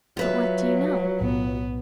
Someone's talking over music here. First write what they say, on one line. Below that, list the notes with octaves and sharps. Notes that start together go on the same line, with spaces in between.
But what do you know?
F#3 F4 B4 E5
B1 A2 B3